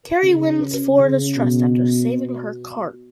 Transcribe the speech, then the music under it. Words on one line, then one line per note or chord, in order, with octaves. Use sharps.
Carrie wins Flora's trust after saving her cart.
C#3
C#3
B2